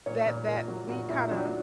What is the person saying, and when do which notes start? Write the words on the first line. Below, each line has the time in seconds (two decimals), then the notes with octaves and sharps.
that that we kinda
0.06 A#2 C#5
0.26 A#2
0.47 A#2 A#4
0.68 F#3
0.89 A#2 F#4
1.09 A#2 E4
1.30 F#3 D4